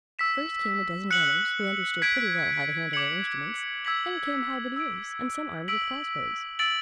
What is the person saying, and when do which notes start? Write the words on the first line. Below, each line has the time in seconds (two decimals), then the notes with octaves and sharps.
First came a dozen drummers, who understood pretty well how to handle their instruments; then came halberdiers, and some armed with cross-bows.
0.19 E6 B6 E7
1.11 F#6 C#7 F#7
2.02 G#6 B6 D7
2.93 D6 G#6 C#7 F#7
3.85 E6 G#6 B6 F#7
4.76 E6 G#6 D7
5.68 E6 B6 D7 F#7
6.59 E6 A6 D7 F#7